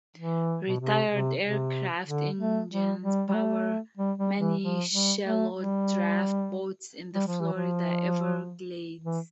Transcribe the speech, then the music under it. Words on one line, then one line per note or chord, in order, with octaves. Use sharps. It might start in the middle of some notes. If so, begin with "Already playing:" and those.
Retired aircraft engines power many shallow draft boats in the Florida Everglades.
E3
B2
C3
C3
C3
D3
A3
G3
G3
G3
A3
G3
G3
E3
F3
G3
A3
G3
G3
F3
E3
F3
E3